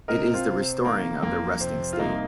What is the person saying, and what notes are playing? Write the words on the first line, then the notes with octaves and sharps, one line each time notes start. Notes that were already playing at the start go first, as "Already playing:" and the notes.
It is the restoring of the resting state.
C3 A#4 D#5
C4 F4
C3
C4
D#3 A#3
F2 A#3
C3 C4
F4
C2 A#3 D#4